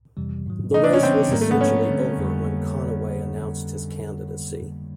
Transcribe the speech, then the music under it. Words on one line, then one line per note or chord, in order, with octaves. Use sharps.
The race was essentially over when Conaway announced his candidacy.
F2 C3 E3 G3
G#2 D#3 F#3
C3 E3 A3 D#4
D4
C#4
C#3 E3 G3 B3 C4
G#2 D#3 G3 A#3
A3
B3
G#2 F3 A3 C#4
D3 G3 C4
F2 D3 G3